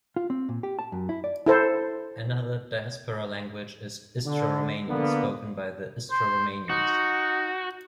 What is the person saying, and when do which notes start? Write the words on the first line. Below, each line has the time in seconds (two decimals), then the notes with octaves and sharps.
Another diaspora language is Istro-Romanian, spoken by the Istro-Romanians.
0.16 F4
0.30 C4
0.49 A#2
0.63 G4
0.79 A5
0.92 F#2
1.09 E4
1.24 D5
1.46 E4 A4 C5
4.25 D3
4.89 D3 A#3 B3
6.11 C5
6.70 D#4 F#4